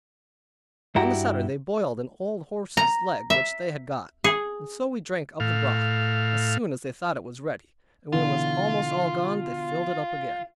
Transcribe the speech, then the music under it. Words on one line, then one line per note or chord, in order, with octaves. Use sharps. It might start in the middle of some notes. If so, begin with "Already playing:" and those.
On the Saturday they boiled an old horse's leg which they had got, and so we drank of the broth, as soon as they thought it was ready, and when it was almost all gone, they filled it up again.
G2 E4 F#4 G4 A#5
A#5
E5
G#4
A2 F5
B2 D3 E3 F4